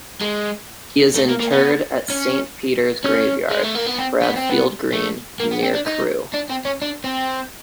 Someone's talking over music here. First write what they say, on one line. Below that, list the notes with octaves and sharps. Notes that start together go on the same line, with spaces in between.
He is interred at Saint Peters grave yard, Bradfield Green, Near Crewe.
G#3
A3
A#3
A#3
B3
C#4
C#4
G#3
A3
A#3
B3
C4
B3
C4
B3
A3
A#3
B3
C4
D4
D#4
D4
C4
C#4
D4
C4